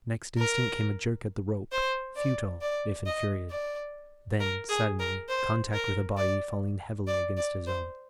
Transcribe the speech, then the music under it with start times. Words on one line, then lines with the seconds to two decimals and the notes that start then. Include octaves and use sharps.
Next instant came a jerk at the rope, futile, if infuriated; then, suddenly, contact with a body falling heavily against his own.
0.38 A#4
1.72 C5
2.16 D5
2.61 D5
3.06 D#5
3.50 D5
4.40 A#4
4.69 G#4
4.99 A#4
5.29 C5
5.74 A#4
6.17 D5
7.07 D5
7.37 D5
7.67 C5